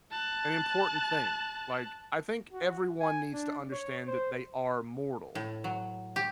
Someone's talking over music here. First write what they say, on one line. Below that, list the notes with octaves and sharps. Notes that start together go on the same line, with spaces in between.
an important thing, like, I think everyone needs to understand that they are mortal.
A5 F#6
F#4
G#5
D4
C#5
C5
A2
F#3
G4